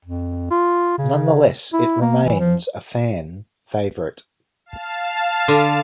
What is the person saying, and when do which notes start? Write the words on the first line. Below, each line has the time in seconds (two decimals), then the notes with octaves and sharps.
Nonetheless, it remains a fan favorite.
0.05 F2
0.51 F4
0.98 C#3
1.73 E4
2.01 A#3
2.24 E3
2.39 F3
4.66 F5 A5
5.48 D3